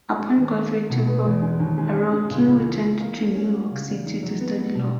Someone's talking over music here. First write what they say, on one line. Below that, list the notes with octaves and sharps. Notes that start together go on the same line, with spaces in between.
Upon graduating from Harrow, King returned to New York City to study law.
G#3
D#2
A#3
A#3
B2
B4
E2
G#3
D#2
G#3
C#4
G#3
C#2
C#2
E3
E3
A#3
A#3
C#4
F#4
C#3
E2
D#4
F#3
B3
B3
B2